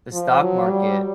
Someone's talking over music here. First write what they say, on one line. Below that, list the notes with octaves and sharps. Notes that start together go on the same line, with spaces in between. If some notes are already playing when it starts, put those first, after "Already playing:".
the stock market
F3
F#3
G3